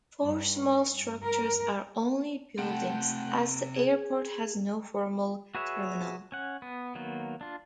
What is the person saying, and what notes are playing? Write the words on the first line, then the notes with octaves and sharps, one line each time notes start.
Four small structures are the only buildings, as the airport has no formal terminal.
G2
A#4
C3 A3 A4 F#5 G5
G#4
F#4 G#4 B4 C#5 E5
C#4 F#5
B3
D#3 F#3 A#3 B3
D4 F4